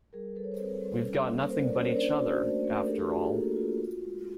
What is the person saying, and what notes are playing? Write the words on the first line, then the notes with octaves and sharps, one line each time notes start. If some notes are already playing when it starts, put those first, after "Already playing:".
We've got nothing but each other, after all.
G3 G#4 A#4
G3 A4 B4
C#5
C5
C4 A4 B4
G3
C#4
A#3
A#3 A#4 C5
C5 D5
C#4 B4 C#5
A#4 C5
D4 C5 D5
F#4
A3
A3
A#4
D4 G4 A4
F#4 G#4
F4 F#4 G#4
G4 A4
A#3
F4
F#4
G#3